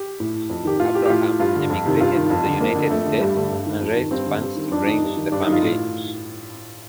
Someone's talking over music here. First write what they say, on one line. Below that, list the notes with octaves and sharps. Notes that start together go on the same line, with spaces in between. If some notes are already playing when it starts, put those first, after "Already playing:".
Abraham emigrated to the United States and raised funds to bring the family.
Already playing: G4
A2
F2
D#3 G4
A2 F4
G4
G4
A2 F4
G2 F4
D3
F2
C3 D#3
G2 F4
D#3
F2 F4
D3
F2 A#3
D3
F2 A3
D3
G2 G3
D3 A3
G2
D#3
F2
D#3
G2 C4
D3
G2
D#3
F2 D4
D#3 D#4
G2
D#3
G2 D4
D#4
D#3
F4
A2